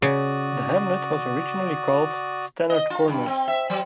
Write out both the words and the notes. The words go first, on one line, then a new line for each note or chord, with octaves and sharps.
The hamlet was originally called Stannards Corners.
C#3 F#4 D5 D#6
D#5
F4
G2
C4
E5
F#3